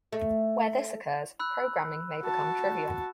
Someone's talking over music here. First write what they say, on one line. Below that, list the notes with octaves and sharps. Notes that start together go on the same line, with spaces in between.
Where this occurs, programming may become trivial.
A3
B5 E6 F#6
F#4 A5